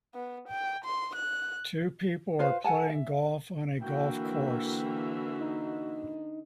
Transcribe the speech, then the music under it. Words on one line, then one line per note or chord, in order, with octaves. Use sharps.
Two people are playing golf on a golf course.
B3
G5
C6
F#6
F4 B4 C5 F5
A4 F#5 G#5 A5
E5
D3 E3 A#3 D4 F#4 E5 G5
D#4